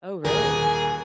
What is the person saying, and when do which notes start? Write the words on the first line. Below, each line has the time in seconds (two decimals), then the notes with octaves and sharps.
Oh, really?
0.25 D#1 D#2 G#4 A#4 G#5